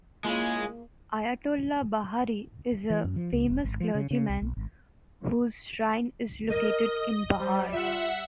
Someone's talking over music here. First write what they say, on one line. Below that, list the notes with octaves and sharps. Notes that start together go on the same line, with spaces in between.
Ayatollah Bahari is a famous clergyman whose shrine is located in Bahar.
C#3 G#3 A#3 E4 F4
E3
F#2
F3
C#2
E1
G#1
F3
C#3
C#3
C2
B1
G#1
A#4 D#5
G3 C5
F4 E5 F#5